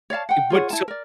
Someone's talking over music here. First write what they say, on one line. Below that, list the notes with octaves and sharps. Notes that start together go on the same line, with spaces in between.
Eh, what so
C#5 D5 F5 A5
F#5 G5
F4 G#4 C#5 F#5
E4 A5
A#4 D5